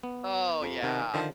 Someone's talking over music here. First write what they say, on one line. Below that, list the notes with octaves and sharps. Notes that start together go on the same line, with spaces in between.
Oh, yeah.
B3
F2
C3 D#3
D3 D#3 F3